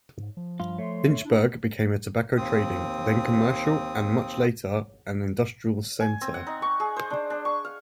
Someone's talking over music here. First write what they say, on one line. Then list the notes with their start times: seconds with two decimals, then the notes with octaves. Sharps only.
Lynchburg became a tobacco trading, then commercial, and much later an industrial center.
0.18 G#2
0.37 F3
0.60 G2 F4
0.78 A3 C#5 E5 C6
1.24 D4 E4
2.37 D#2 C4 D#6
6.00 G#5
6.21 C4
6.34 F#5
6.47 D#4
6.62 C#6
6.80 G#4
6.96 C5
7.10 D4
7.30 D4
7.45 C#6
7.65 F5